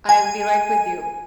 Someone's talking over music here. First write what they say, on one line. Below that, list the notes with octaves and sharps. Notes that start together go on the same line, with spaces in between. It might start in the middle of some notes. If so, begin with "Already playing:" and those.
I'll be right with you.
G#5